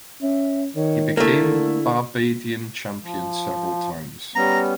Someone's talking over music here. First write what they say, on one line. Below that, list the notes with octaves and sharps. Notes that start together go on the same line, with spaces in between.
He became Barbadian champion several times.
C#4 E5
D#3 C#5
D3 A3 A#3 E4
F3
G3 B3 C#4 A#5